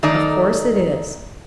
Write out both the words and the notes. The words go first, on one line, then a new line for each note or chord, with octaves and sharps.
"Of course it is."
D#3 A3 D#4 D5 A#5